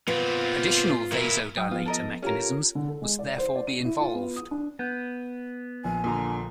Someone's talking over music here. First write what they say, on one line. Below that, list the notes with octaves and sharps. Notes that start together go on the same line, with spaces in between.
Additional vasodilator mechanisms must therefore be involved.
A#2 B3 C4 F4
A#2 E4 A#4
F#3 G5 D#6
F3 B3 F4
A4 A#4 D#5
C#4 F4 G4 A4 A#4
D3
A4
G#3
D5
C5
D5
D#7
E4
F4
B3
D#6
D4
B3 G6
A#1 G#5
A#2 D3 A#5 D#6